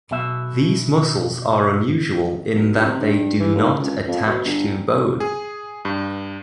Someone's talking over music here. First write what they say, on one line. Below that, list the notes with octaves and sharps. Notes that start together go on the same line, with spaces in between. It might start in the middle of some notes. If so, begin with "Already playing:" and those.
These muscles are unusual in that they do not attach to bone.
B1 B2 E5
B1
C3
G2
E3
D#2
C#2
F2
B2
G1
G#4
G2